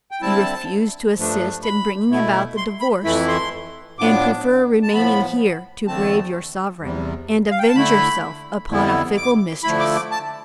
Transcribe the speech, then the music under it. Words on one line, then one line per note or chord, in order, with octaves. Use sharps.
You refuse to assist in bringing about the divorce, and prefer remaining here to brave your sovereign, and avenge yourself upon a fickle mistress.
G5
D3 G3 C4 E4 A5
G2 F3 A3 D4
B5
B2 A3 E4
C6
B5
F2 E3 A3 E4 B5
C6
A2 F3 B3 D4 D6
A5
A2 F3 B3 B5
E2 D3 A3 C4 A5
E2 C3 G3
F5
G5
A5
D3 A3 E4 B5
F2 D3 G3 B3 E4
D6
D3 F3 A3 E4 B5
D6
D6
A5